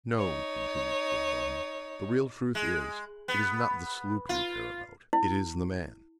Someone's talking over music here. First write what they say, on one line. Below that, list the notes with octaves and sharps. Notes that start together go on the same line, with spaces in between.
"No," continued Clawbonny; "the real truth is, it is not the sloop you care about: it is the man."
D#4 C#5
G#3
B3
F4
E4